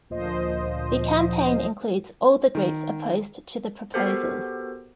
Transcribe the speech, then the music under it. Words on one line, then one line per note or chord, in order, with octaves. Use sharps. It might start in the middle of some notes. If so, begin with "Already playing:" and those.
The campaign includes all the groups opposed to the proposals.
D2 A#2 F3 C5 D#5
D#3
B3 F#4 G4 A4 A#4 C5